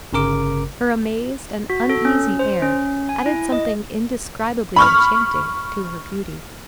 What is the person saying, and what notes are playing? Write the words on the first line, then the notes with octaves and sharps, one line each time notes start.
Her amazed and uneasy air added something indescribably enchanting to her beauty.
G1 C#3 A#4 D6
F#4
A4
C#4
C5
C#4
G#5
E4
D#5
B5 C#6 F6